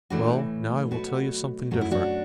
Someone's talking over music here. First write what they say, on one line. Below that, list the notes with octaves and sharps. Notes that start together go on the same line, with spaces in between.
Well, now I will tell you something different.
A2 E3 A3 D4 F#4
B2 F#3 A3 F#4 B4
F#2 F#3 A3 F#4
E4
D4 F#4